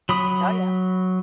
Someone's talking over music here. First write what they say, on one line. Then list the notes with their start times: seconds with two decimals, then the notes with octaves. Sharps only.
Oh, yeah.
0.09 F#3 B5 D#6